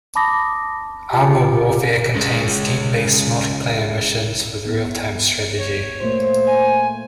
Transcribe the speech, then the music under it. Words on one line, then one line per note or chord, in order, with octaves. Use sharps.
"ArmA Warfare" contains team-based multiplayer missions with realtime strategy.
A5 B5 D6 D#6 A#6
F4 G4
C#3 G#3
B3
C#5
A#2 A3 A#3 C5
G#5